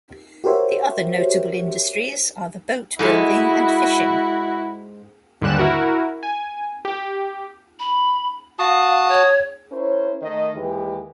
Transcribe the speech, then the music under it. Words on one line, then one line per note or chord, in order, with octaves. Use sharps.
The other notable industries are the boat building and fishing.
F#4 G4 A#4 C5 C#5 E5
G#2 G#3 E4 F#4 A4
D#2 G#2 D3 G3 F#6 E7
E4 F#4 A#4
G#5
G4
B5
F#4 F5 A5 D#6
C#5
C#4 E4 A#4 C5 C#5
D#3 A3 A#4 D#5
D#2 D#3 E3 G#3 G4 B4